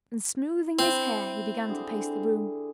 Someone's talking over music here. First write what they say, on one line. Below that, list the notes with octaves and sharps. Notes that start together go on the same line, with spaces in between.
And smoothing his hair he began to pace the room.
C4 E4
D3 G4 G#4